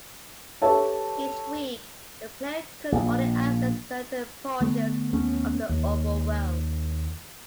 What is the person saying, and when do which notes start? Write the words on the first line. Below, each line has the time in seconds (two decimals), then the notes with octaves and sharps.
Each week, the player could only access certain portions of the overworld.
0.62 G4 A4 B4 C#5 E5 A5
2.92 A#1
4.60 D3 A3 B3
5.13 D#2 A3 B3 C#4
5.69 D#2